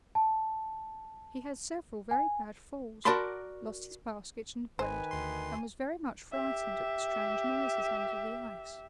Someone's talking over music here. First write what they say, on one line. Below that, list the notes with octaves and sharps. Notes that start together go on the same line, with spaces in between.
He had several very bad falls, lost his basket and bread, and was very much frightened at the strange noises under the ice.
A5
G#5
F#4 A#4 D5 A5 B5 C6
G#1 D#3 B4 C5 G#5
D2 C6
G4 E5